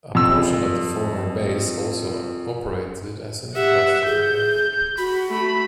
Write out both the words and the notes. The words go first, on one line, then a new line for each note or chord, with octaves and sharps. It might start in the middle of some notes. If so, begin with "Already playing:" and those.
A portion of the former base also operated as an industrial airport.
F2 E6
G4 E5 F#5
G#4 G6
F#4 B5
A3 B5